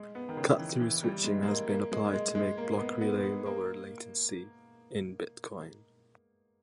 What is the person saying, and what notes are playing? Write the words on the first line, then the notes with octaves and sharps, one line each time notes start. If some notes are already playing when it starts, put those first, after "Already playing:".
Cut-through switching has been applied to make block-relay lower latency in Bitcoin.
Already playing: G#3
B3
D#3
C#3
E3
E3
G3
G#3
G#3
A#3
A#3
G#3
G#3
G#3
A#3
B3
B3
B3
A#3